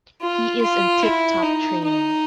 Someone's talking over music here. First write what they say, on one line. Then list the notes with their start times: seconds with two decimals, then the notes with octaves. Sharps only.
He is in tip-top training.
0.21 F4
0.62 F4
1.03 E4
1.43 D#4
1.84 D#4